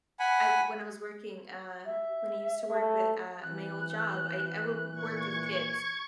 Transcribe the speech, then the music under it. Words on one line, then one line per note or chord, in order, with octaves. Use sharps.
I when I was working, uh when I used to work with, uh, my old job, I I wo w worked with kids,
F#5 G#5 B5
E5
A3
E3 C4 F#6
A#2 C#6 G#6